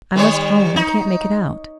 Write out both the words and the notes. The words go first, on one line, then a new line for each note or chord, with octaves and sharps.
I must own I can't make it out.
D#3 G3 C#5
D#4